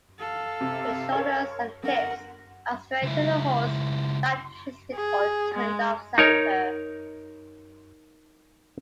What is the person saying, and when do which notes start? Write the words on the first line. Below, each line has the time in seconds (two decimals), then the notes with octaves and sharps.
The shoulders and hips are square to the horse, not twisted or turned off-center.
0.19 A4 F5
0.61 C3
1.12 A#4 C#5
1.83 G1 A#4 F#5
3.02 C#2 E4
4.95 G#4
5.55 G#3
6.18 D#4 A#4 C#5